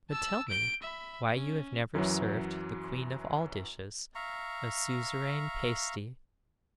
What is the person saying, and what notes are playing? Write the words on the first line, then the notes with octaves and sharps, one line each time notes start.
But tell me why you have never served the queen of all dishes, a Suzeraine Pasty?'
A5 E6
G6 D7
E5 B5
C#4
F#2 E3 F#3
E5 F5 A#5 C#6